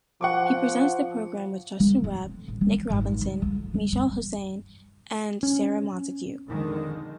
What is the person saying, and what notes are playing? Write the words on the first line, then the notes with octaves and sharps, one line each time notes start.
He presents the programme with Justin Webb, Nick Robinson, Mishal Husain and Sarah Montague.
F3 F#5 C#6 D6
D3
C4
A1
C4
G#1
C#2
D2
F#3
G2
C#4
F2 D3 D#3 G#3